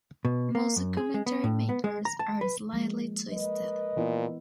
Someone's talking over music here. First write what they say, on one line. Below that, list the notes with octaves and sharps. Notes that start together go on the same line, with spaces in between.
Most documentary makers are slightly twisted.
B2
A#3
F#2
G#4
G#3
B3
A2
B3
G#3
A#5
A5
B4
F3 G#3 A#3
A#4 B4 D#5
A#2 E3 B3 E4